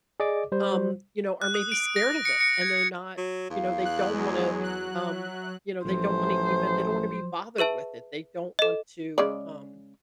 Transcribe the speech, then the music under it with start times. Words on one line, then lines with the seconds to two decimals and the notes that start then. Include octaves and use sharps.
um, you know, are maybe scared of it and they're not, you know, they don't wanna, um, you know, they don't want to even they don't want to be bothered with it. They don't want to, um,
0.20 G#4 D5 D#5 D6
0.52 G3 C5
1.42 F#6
1.54 D#6
1.72 D7
1.96 A#6
2.25 C#7
2.41 C#7
2.61 G#6
3.18 F#3
3.50 E2 F5
3.85 F#6
4.14 F#3 G#3 G#4
4.59 F#3 F#6
5.07 E5
5.85 A1 F3 F#3 C5
7.58 G#4 B4 E5 A5
8.59 A4 D#5
9.18 C#3 G#3 D5